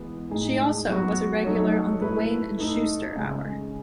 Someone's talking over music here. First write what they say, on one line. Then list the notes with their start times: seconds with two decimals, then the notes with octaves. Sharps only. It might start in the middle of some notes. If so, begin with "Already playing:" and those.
She also was a regular on the "Wayne and Shuster Hour".
Already playing: E3 G#3 B3
0.30 A2 G#3 D#4 G#4
0.88 F#3 B3 F#4
1.44 F#3 A3 D#4 A4 C#5
2.02 A3 E4 B4
2.58 A3 D#4 A4
3.15 C#3 G#3 C#4